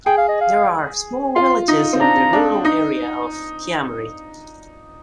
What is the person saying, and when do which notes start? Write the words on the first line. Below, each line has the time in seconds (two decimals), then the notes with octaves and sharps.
There are small villages in the rural area of Kiamari.
0.06 G#4 G5
0.17 F5
0.29 D#5
0.41 F5
1.36 F4 C6
1.68 D#4
1.93 C4
2.00 D4 A#5
2.33 D4
2.65 D#4